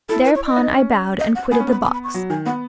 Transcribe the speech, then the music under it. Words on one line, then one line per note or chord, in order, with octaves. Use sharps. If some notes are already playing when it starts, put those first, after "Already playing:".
Thereupon I bowed and quitted the box.
E4 A4
B4
C#5
D#5
D#4
C#4
D#5
F#5
B3 G#5
C#4
B3 B5
B5
B5
C#6
F#3
D#3 G#5
B3 F#5